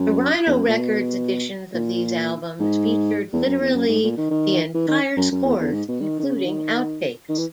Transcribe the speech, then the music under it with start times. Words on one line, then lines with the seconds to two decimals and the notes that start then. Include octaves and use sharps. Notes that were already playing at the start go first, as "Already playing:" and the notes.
The Rhino Records editions of these albums featured literally the entire scores, including outtakes.
Already playing: F#2
0.47 E2
0.57 F#2
0.68 A#2
0.79 B2
1.74 A#2
2.60 G#2
3.33 E2
3.45 F#2
3.60 E2
3.74 F#2
3.88 G#2
4.03 A#2
4.17 D#3
4.31 D#3
4.74 E3
4.88 D#3
5.17 F#2
5.31 F#2
5.44 E2
5.60 E2
5.73 G#2
5.88 B2
6.01 D#3
6.19 D#3
6.23 C#3
6.35 C#3
6.44 D#3
7.29 D#3
7.38 E3